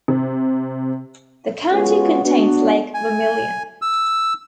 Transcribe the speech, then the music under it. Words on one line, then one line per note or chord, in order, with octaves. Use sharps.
The county contains Lake Vermillion.
C3
G#3 B3 C#4 F4 F#4 G#4
B3 D4 F#4
G#5
E6